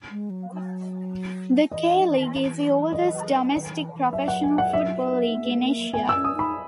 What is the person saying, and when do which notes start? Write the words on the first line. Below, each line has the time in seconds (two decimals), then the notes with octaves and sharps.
The K-League is the oldest domestic professional football league in Asia.
0.10 G#3
0.30 F#3
0.51 F#3
1.71 E3 D#5
2.01 F#3
2.10 E3
2.18 D#3
2.27 E3
2.92 D#5
3.53 D#3
3.73 E3
3.93 E3
4.13 F#3 E5
4.28 F#5
4.43 G#5
4.58 F#5
4.73 E5
5.34 B3
5.42 A#3
5.50 G#3
5.58 A#3
5.94 B3 G#5
6.09 E6
6.14 C#4
6.24 D#6
6.35 D#4 B5